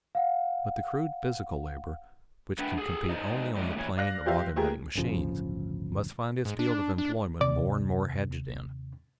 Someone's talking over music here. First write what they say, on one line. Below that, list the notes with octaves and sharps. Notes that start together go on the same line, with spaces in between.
But the crude physical labor which can compete only on the plane of automatic machines, must find its field of employment more and more hedged in.
F5 F#5
A3 D4 B4 F#5 G5
G#4 A4
D#4 C5 D5 D#5
A2 C3 G#3 A3 C#4 D5
A#2 E3 C#5
D5 F5 F#6 A#6
F3 G4 C5 E5 F5
A3 A#3 F4 G4 G#4 A#4
D1 G1 C#3 F3
G#2
D4
D4
D#2 C3 D5